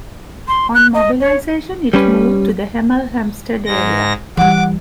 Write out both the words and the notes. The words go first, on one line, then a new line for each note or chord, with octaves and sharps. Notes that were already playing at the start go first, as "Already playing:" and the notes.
On mobilisation it moved to the Hemel Hempstead area.
C6
F#6
D#5
C#5
G3 C#4 B4
G#2 A#6
E3 G3 F#5 D6